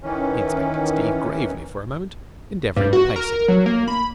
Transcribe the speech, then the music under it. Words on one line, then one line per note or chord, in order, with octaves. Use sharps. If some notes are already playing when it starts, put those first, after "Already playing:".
He inspected Steve gravely for a moment, endeavouring to place him.
D#3 E3 C#4
G2
F#4
A#4
F#3
A#3
B5